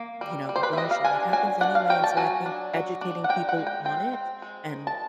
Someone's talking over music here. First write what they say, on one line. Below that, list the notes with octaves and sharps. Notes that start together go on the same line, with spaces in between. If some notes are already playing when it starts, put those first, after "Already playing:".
You know, abortion, it happens anyway, and so I think educating people on it and
Already playing: A#3
G3
G3
C5
B4
E5
G3 D#5
F5
D4 G#5
F#3 G#5
D4 F#5
F5
F#3 G5
A5
F#3 G#5
D4
F#3
D4
F#5
D#3 G5
F#5
G#3
G5
C4 G5
C4
G#3
D#3
A5